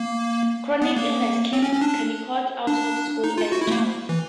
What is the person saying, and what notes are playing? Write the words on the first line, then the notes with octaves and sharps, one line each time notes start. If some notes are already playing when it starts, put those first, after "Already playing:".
Chronic illness kept Kennicott out of school as a child.
Already playing: A#3
B3
A#3
C4
C#4
C#4
D4
D4
D#4
F4
F#4
E4
A3
A#3
E3